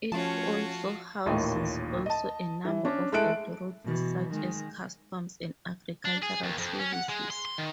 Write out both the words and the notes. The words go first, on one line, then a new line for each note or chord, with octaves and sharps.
It also houses also a number of authorities such as customs and agricultural services.
F3 A3 C#4 F4 F#4 A5
A1 D#2 A#2 D#5
D#5 A5
E3
C#4 D4
G#3 A3 E4 A4 F#6 D7
B2 E3
D#3 G#3
D4
G#4
D#2
F2
C#4
F#5
G#3
C6
C6
D#3